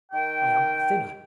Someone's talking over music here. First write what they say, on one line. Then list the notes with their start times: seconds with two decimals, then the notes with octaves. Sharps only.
I am thinner.
0.12 D#3 A#4 G5